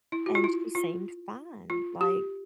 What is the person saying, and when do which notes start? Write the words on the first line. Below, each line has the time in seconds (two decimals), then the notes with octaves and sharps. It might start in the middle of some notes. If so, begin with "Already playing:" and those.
and she seemed fine. Like
0.12 E4
0.26 F#4
0.35 F4
0.44 E4
0.75 F4
1.70 F4
2.01 G4